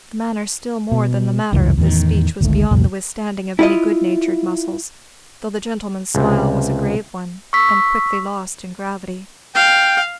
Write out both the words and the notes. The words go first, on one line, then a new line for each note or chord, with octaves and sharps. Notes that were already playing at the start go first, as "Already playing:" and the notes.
The manner still more than the matter of this speech was beyond the withstanding of any good-natured muscles, though the gentleman's smile was a grave one and quickly lost in gravity.
B2
F1 C#2 G2 E3
E2 A2 C3 D#3
G#1 D2 G#2 A3
C2 F2 A#2 A3
E4 F4 D#5
C#2 C3
C#6 E6 B6
F5 G5